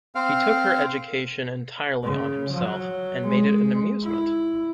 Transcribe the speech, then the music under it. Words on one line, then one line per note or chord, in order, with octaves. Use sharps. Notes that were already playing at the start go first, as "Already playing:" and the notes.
He took her education entirely on himself, and made it an amusement.
C4 F5
C#3
F#3
G#3
E4